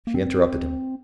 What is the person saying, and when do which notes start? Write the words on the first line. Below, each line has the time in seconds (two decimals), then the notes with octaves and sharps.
She interrupted him.
0.07 A#3
0.14 C4